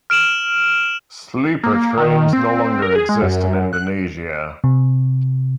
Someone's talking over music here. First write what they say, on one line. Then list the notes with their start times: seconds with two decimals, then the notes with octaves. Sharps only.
Sleeper trains no longer exist in Indonesia.
0.10 F6 D7 E7 F#7
1.63 A#3
1.97 D#3
2.33 C4
2.82 A#4
2.96 G#4
3.09 G#3
3.22 F#2
3.73 F#6
4.64 C3